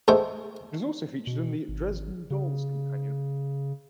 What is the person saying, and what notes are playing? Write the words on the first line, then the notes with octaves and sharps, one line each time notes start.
It was also featured in "The Dresden Dolls Companion".
G#2 G#3 A3 G5
B2
G#1
C#3